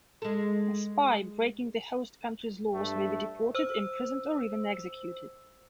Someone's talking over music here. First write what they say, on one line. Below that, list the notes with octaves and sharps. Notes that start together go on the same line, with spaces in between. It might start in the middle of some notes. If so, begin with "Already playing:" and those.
A spy breaking the host country's laws may be deported, imprisoned, or even executed.
G#3 A4
G2 A3
C5 E6